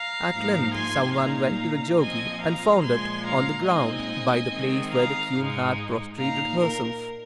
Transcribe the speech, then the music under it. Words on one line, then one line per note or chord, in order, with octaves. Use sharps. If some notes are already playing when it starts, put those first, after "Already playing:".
At length some one went to the jogi, and found it on the ground by the place where the queen had prostrated herself.
Already playing: F5 A#5
G#2 F3 A#3 D#4
G#5 C6
A#2 A#3 D#4 F5 A#5
A#2 F3 C4 D#5 G#5
F5 A#5
A#2 F3 G#3 G#5 C6
F5 A#5
A#2 G#3 C4 D#4 D#5 G#5
D#3 G#3 C4
F5 A#5
G#2 G#3 D#4
A#2 A#3 D#4 F5 A#5
A#4